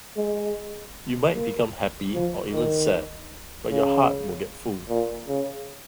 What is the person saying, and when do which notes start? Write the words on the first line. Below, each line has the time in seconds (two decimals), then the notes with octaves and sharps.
You might become happy or even sad, but your heart will get full.
0.16 G#3
1.35 A#3
2.14 F3
2.53 D#3
3.71 C#3
4.89 A#2
5.28 C#3